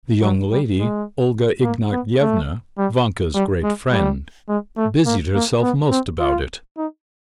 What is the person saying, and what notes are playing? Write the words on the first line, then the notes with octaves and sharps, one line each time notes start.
The young lady, Olga Ignatyevna, Vanka's great friend, busied herself most about it.
F#3
G3
G#3
A#3
B3
A3
G3
G3
G#3
G3
G#3
A3
A#3
A#3
B3
C4
F4
D#4